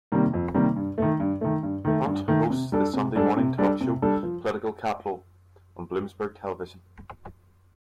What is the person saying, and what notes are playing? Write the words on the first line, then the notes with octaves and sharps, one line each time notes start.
Hunt hosts the Sunday morning talk show "Political Capital" on Bloomberg Television.
C3 D#3 G3 A#3
F2
C3 D#3 G3 A#3
G2
D#3 A3
G2
D#3 A3
G2
D#3 A3
G2
D#3 A3
C3
G3 D4 A4
C3
G3 D4 A4
C3
G3 D4 A4
C3
G3 D4 A4
F3